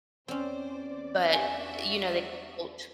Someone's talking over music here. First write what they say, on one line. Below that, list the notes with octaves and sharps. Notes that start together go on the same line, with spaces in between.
but, you know, they mulch?
E2 C4 C#4 C5 D5
D4 F#4 G4 E5 G5 G#5